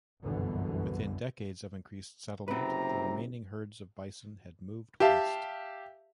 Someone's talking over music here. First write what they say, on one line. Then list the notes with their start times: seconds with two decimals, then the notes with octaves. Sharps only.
Within decades of increased settlement, the remaining herds of bison had moved west.
0.23 G1 C2 F#2 B2 D3 E3
2.48 F#1 C3 C4 B4 A#5
5.00 G4 E5 F5 A5